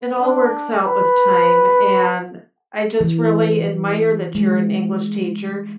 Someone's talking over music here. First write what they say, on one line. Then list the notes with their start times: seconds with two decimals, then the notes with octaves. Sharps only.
it all works out with time, and I just really admire that you're an English teacher.
0.19 D4
0.83 B4
3.01 E3
4.35 G#3